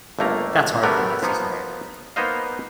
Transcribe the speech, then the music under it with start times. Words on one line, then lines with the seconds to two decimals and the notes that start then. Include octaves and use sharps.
That's hardly necessary.
0.19 G1 C#2 A3 A#3 A#5
0.83 D3 F#3 G3 A3 B3 A#4
1.23 F3 A#3 B3 D#4
2.16 A#3 B3 D#4 C5 D#5 F5